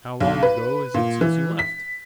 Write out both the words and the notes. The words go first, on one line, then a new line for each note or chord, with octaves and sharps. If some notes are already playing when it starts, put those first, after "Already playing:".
'How long ago is it since you left?'
B1
B4
A#2
E3
B6